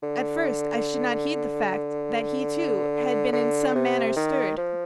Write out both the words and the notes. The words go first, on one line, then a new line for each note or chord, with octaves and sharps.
At first I should not heed the fact that he, too, had been in some manner stirred.
D3
D3
C3
D#3
F3